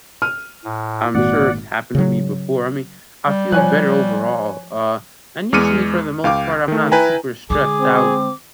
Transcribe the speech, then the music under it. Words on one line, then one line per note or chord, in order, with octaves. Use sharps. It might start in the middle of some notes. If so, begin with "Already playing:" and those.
I'm sure it's happened to me before, I mean, I feel better overall, uh, and usually for the most part, I'm not super stressed out,
F6 D#7
A2
G#1 A#2 F#4 D5 F#5
C#3 F#3
G3
F3 C#5 G#5 F#6
E2 G#3 D6 F6 C#7 D#7
C#2 F5 G5 D6
D#3 A3
E4 B4 G5 G#5 A#5
D3 G#3 G#4 D6
C4